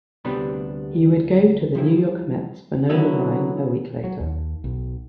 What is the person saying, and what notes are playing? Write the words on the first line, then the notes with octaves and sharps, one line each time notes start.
He would go to the New York Mets for Nolan Ryan a week later.
D2 C3 G3 B3 D4 B5
F3 G3 E4
D3 F#3 B3 E4
F#3
D#2
B1